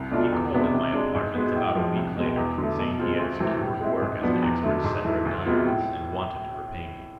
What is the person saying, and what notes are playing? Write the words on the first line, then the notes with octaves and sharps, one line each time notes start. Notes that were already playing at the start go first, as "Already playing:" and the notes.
He called at my apartments about a week later, saying he had secured work as an expert setter of diamonds, and wanted to repay me.
Already playing: C2
B2 A3 D4 F4
E2
C3 G#3 B3 D4
C3
G#3 D4
G#2
G#3 B3
A2
F3 G#3
C2
B2 G#3
E2
D3 A3
B2
G#3 C4 F4
D2
C3 E3 A3 C4
A2
G#3 C4 E4
G#2
F3 B3 D4
E2
D3 A3
G#2
E3 A3 E4
D2
C3 G#3 B3 F4
A2